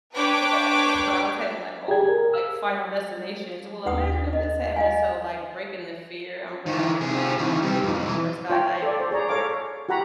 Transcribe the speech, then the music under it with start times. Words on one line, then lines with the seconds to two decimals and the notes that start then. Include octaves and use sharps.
Yeah. So, but I was having like all these, like, final destinations, "Well, imagine if this happened," and so like breaking the fear, I'm glad I did that. I did indoor skydiving before.
0.13 D4 B4 C#5 G5 D6
1.88 G4 G#4 G#6
2.09 A#4
2.34 E6
3.86 D#2 B4 F#5 D#6
4.33 D#5
4.76 D#5 F5 G#5
6.66 D#3 E3
7.01 C3 G#4
7.38 D#3 E3
7.62 C3 G3
7.83 B1 F2
8.07 E3
8.50 F4 C#5 G5
8.82 A4 D5
8.99 C5
9.11 G#4 C#5 D5 A#5
9.29 A4 C#5 F5 D6
9.89 F#4 G4 F#5 A#5 B5